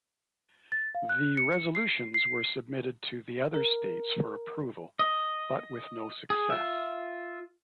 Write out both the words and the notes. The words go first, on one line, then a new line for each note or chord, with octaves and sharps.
The resolutions were submitted to the other states for approval, but with no success.
A6
F5
F#6
C#7
C7
C7
A#4
D#5
G#4
F4 E5